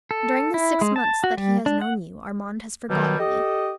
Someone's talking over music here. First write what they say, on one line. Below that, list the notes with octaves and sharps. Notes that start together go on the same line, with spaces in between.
During the six months that he has known you Armand has forgotten me.
A4
E4
G#3
A5
F#4
G3
D4
F#5
B2 D#3 F#3 G3
G4 A4 D#5